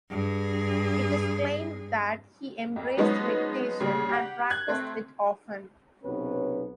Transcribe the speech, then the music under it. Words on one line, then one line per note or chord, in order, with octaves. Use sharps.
It is claimed that he embraced meditation and practiced it often.
G2 G#4
F2
F3 F#3 G#3 B3 C#4 D#4
A#1 C#3 G3
G4 F#5
F#6 G#6
A3 C4
B1 C3 B3 C#4 B4